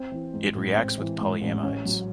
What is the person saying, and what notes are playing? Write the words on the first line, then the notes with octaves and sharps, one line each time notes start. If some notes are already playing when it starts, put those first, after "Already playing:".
It reacts with polyamides.
Already playing: C4
E3
G#2
A1
C4
E3
G#2
A1
C#4
F#3